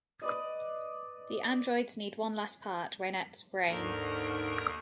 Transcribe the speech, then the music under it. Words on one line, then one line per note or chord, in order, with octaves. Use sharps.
The androids need one last part; Reinette's brain.
B4 D5 D#5
D#2 G#2 D3 A#4